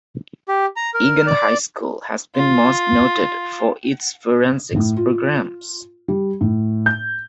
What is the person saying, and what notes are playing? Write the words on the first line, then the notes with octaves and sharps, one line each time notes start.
Eagan High School has been most noted for its forensics programs.
G4
A#5
A#4
D5
F4
A2
F4
G3
A2
G6